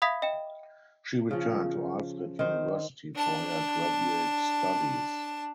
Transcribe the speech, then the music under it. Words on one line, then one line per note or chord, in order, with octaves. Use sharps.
She returned to Alfred University for her graduate studies.
E5 F5 B5 D#6 G#6 B6
D#5 G5 E7
C#3 F3
D#3 C5
D4 A5